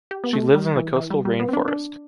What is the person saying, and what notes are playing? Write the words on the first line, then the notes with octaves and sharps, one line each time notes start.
She lives in the coastal rainforest.
G4
B3
A3
G3
E3
E3
G3
G3
B3
C4
D4
D4